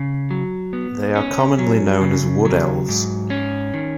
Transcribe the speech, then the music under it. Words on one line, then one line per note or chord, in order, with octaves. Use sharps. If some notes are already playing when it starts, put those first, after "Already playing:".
They are commonly known as Wood-elves.
Already playing: C#3
F#3
B3
C#4
F#3
C#3
F#3
G#2
C#4
D#3